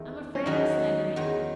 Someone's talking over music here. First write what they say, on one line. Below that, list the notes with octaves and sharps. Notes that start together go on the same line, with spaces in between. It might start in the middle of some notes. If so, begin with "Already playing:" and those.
I'm afraid I'm slandering him.
Already playing: E2 D#3 A3
C#4
E2 D#3 F#3 D#4
E2 D#3 F#3